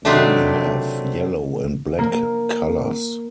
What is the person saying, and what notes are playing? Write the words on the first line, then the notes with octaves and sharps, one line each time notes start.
They have yellow and black colours.
C3 D#3 F#3 A3 C4 D4
A#3